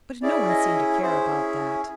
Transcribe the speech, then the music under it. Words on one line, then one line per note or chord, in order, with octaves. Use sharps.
But no one seemed to care about that.
C#4 E4 G#4 D5
D#5
C#4 E4 G#4 C5